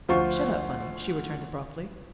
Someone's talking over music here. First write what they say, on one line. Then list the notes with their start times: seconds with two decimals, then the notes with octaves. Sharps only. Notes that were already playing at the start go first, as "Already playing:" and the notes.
"Shut up, Bunny," she returned, abruptly.
0.09 D2 F3 F4 C5 C#6